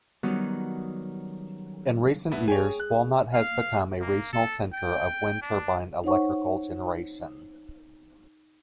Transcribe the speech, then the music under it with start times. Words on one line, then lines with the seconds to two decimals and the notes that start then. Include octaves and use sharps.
In recent years Walnut has become a regional center of wind turbine electrical generation.
0.23 D#3 F#3 G3 B3 C#4 D#4
2.31 G2 B3 E4
2.48 G#4 C#5 G5 G#5
2.80 F#6
3.33 F5
4.01 A#3
4.33 A4
4.73 G5
5.42 D4
6.04 D#4 C5 C#5 F#5 C#6